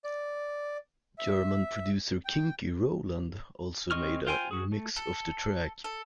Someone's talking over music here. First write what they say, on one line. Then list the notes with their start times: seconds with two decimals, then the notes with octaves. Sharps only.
German producer Kinky Roland also made a remix of the track.
0.05 D5
1.18 E5
2.25 G5
3.91 C4 G#4 D#5 C#6 F6
4.27 F4 C5 G5 G#5 C6
4.51 F#4 G#4
4.72 A3
4.96 A4
5.84 A4